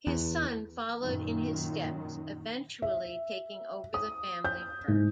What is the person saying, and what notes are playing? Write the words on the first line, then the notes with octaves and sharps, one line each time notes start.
His son followed in his steps, eventually taking over the family firm.
E2
F#2 A#2 D#3
E5
D#6
G6
G#2